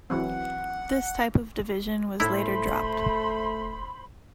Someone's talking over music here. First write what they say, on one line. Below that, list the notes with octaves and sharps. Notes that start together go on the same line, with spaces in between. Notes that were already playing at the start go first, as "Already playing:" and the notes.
This type of division was later dropped.
E3 F#3 C4 F#5
A2 A3 E4 C5 B5 C6